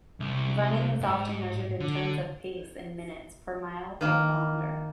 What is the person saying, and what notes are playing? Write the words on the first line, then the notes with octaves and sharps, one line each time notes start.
Running is often measured in terms of pace in minutes per mile or kilometer.
C2
G#2
D3
D#3 A#3